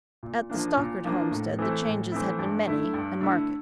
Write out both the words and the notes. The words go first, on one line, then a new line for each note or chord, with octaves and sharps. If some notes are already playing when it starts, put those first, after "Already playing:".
At the Stockard homestead the changes had been many and marked.
A#2
F3 A#3 D4
A#2
F3 A#3 D4
A2
E3 A3 C4 E4
A2
E3 A3 C4 E4
G2
D3 A3 E4
G2
D3 A3 E4